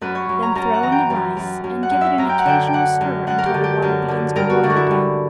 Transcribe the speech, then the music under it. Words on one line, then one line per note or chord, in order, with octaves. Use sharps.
Then throw in the rice, and give it an occasional stir until the water begins to boil again.
F#2 B4
C#5
F#2
A#5
F#2 A#5
F#5
E3 A#5
G5
F#2
F#2
F#2
F#5
F#2
E5
F#2 A#5
G5
F#5
D3 G5
G5
D3 F#5
F#2
F#2 F#5
A#4
G4
D3
G4
F#2
D3
G2 A#4
F#4
D3 D4
F#4
E4
G2